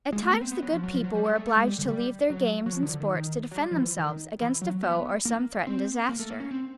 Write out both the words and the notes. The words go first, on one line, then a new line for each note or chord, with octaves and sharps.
At times the good people were obliged to leave their games and sports to defend themselves against a foe or some threatened disaster.
G#3
A3
B3
C4
B3
F#3
F3
F#3
F3
F#3
G3
G#3
A3
A3
G#3
G3
D3
G3
F#3
F#3
F3
D#3
D3
D#3
D#3
F#3
G3
F3
E3
D#3
E3
F#3
B3
A#3
C4
A#3
A3
A#3
C#4
C4